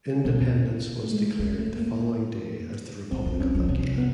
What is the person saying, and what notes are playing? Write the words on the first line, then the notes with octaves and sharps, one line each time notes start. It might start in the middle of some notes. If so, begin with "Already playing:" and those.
Independence was declared the following day as the Republic of Anguilla.
B2 C4
A3
G#3
C#3 G#3
A3
A#3
D3 C4
D#3
E3 C#4
F3
C3 C#4
B3